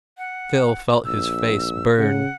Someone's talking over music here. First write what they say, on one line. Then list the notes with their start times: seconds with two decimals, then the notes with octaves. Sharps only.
Phil felt his face burn.
0.18 F#5
1.05 A#1 E6
1.98 C#3 F#5